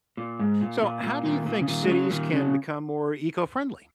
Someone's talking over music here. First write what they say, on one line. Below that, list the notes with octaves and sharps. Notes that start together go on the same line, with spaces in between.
So how do you think cities can become more eco-friendly?
A#2
G#2
A#2
A#2
A#2
A#2 D#3
A#2
C#3
A#2 D#3
G#3
C#3 F#3
A#2 D#3
C#3 F#3